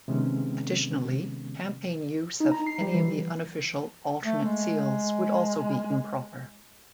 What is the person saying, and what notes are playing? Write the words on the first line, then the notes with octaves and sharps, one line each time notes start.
Additionally, campaign use of any of the unofficial, alternate seals would also be improper.
C3 D#3 G#3 B3 C#4
D#4
A#5
C7
G3
E3
A3
G#3